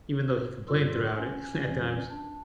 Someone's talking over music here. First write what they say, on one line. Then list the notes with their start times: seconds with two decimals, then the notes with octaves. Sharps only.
even though he complained throughout it at times,
0.68 G2 D3 G3 F4 A4
1.17 C#4
1.63 F2 E3 G3
2.10 D4